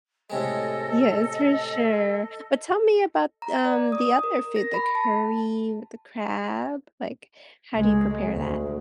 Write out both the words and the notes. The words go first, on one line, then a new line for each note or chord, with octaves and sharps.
Yes, for sure, but tell me about, um, the other food, the curry with the crab, like, how do you prepare that,
A2 C3 G#3 A4 D#5
A#5
D5
D#6
A#4
A#6
B5
A5
C#2 G#3
D2